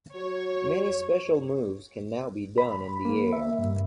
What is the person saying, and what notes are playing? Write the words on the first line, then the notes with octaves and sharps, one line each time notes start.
Many special moves can now be done in the air.
F#3 C#5
B5
A#3
E5
G2